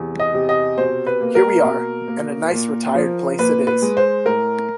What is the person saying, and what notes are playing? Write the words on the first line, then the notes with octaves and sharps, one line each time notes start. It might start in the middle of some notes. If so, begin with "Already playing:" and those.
Here we are, and a nice retired place it is.
Already playing: E2 C3
D#5
C3
D#5
B2 C5
B4
A#3
A#4
B2
A#3
A#2
F3
A#2 B4
B4
G#3
C5
A2 A#4